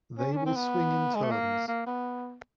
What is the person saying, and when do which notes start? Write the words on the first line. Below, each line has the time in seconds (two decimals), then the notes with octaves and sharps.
They will swing in turns.
0.18 C#4
0.32 D4
0.37 C#4
0.46 C4
0.56 B3
1.15 G#3
1.23 A3
1.31 A#3
1.68 A#3
1.87 B3